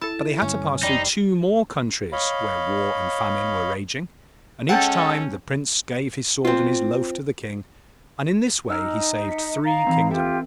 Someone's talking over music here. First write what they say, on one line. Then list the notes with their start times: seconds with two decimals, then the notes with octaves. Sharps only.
But they had to pass through two more countries where war and famine were raging, and each time the Prince gave his sword and his loaf to the King, and in this way he saved three kingdoms.
0.01 E4 A4 A5
0.42 G2 D3 G3 C#4
0.83 F1 G3 D#4 C5
2.12 C#5 D#5 F5 B5
4.69 G#3 C#4 A4 F#5 G5 A5 G6
6.45 C4 F4
8.68 D#4 D#5 G#5 E6 F6
9.28 B6 C#7
9.64 D#4 F5 A#5 A6
9.86 E3 C4
10.11 F4 G4 A4 E5 G5